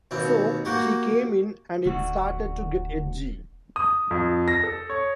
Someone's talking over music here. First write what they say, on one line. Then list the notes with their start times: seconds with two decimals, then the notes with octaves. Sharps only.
So she came in and it started to get edgy.
0.11 D#2 B2 C4
0.65 A#3 F#4 G4
1.86 D#1 D2 F#4
3.76 D#6
4.11 F2
4.48 A#6
4.63 A4
4.90 C#5